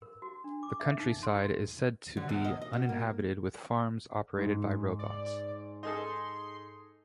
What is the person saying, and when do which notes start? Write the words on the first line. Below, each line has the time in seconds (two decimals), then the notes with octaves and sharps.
The countryside is said to be uninhabited with farms operated by robots.
0.02 A#4
0.22 F#4
0.44 D4
0.63 D6
0.80 E5
1.00 D#4
1.23 C6
2.17 D3
2.29 E2
2.45 D#5
2.62 D#5
2.73 B2
2.89 A#3
4.38 G#2
4.99 D5
5.83 D#4 G#4 A4 C6